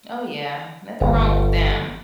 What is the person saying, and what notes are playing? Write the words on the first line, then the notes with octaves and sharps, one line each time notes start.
Oh, yeah. Nothing wrong with them.
G1